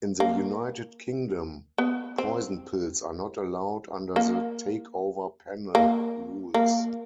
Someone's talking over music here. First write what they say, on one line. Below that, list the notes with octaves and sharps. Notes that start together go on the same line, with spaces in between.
In the United Kingdom, poison pills are not allowed under the Takeover Panel rules.
A#3
B3
C4
A#3
A#3
A#3